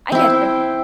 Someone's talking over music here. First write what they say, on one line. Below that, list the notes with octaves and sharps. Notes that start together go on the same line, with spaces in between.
I getcha.
C4 E4 G5